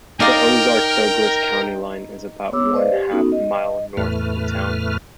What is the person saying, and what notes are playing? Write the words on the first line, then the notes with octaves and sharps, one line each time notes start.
The Ozark-Douglas county line is about one-half mile north of the town.
D#4 A#4 D5 F5 G5
B3 C#5 D6 E6
B4 C5 D5 D#5 F5
G4
B3 C#4 D#4 F#4 A4
D#5
E2 A2 A3 B4 F6